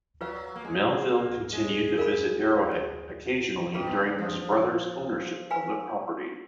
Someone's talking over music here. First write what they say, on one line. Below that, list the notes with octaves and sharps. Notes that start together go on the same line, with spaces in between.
Melville continued to visit Arrowhead occasionally during his brother's ownership of the property.
F#3 F4 B4 F5
A#3
G#3
A#3
G#3
A#4 F5 B5
D#3 G#4 B4 F5 B5
B2
C#3
F3
F3
B4 F5 G#5 B5